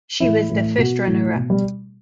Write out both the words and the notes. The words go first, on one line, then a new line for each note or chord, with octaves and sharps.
She was the first runner-up.
A2 E3 E4
A2 E3
B2 F#4
A2 E3
B2
G3